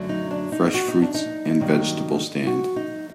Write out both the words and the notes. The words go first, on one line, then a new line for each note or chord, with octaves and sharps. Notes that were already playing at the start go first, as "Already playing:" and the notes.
Fresh fruits and vegetable stand.
Already playing: F#2 D3 F#3 A3
D#4
D4
D#4
F#4
D#4
D4
D#4
G2 D#3 F#3 A#3
F#4
D#4